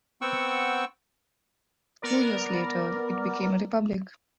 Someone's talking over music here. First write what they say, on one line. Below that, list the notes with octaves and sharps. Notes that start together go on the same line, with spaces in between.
Two years later it became a republic.
B3 C4 F#5 G5 C#6 E6
B3 A#4 D5